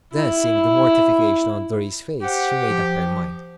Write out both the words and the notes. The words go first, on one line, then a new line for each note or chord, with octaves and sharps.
Then seeing the mortification on Dorry's face, she made up her mind.
E4
G4 C5 F#5
F3